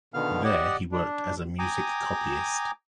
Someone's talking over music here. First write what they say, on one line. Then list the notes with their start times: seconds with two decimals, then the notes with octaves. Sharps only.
There he worked hard as a music copyist.
0.14 B2 D3 D#3 B3 F5 F6
0.44 G4 D5 D#5 F#5
0.92 D4
1.59 G5 G#5 A#5 D6 D#6